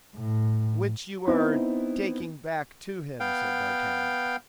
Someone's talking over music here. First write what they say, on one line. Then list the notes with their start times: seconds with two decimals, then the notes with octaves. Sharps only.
"Which you are taking back to him?" said d'Artagnan.
0.16 A2
1.27 B3 C4 D#4 E4
3.20 B3 F5 G5